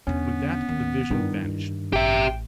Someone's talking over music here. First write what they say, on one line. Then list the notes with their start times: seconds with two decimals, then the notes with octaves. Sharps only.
With that the vision vanished.
0.07 E2 D3 B3 C#4
0.69 D#2
1.11 G2 D#3 E4
1.93 A1 G4 E5 G5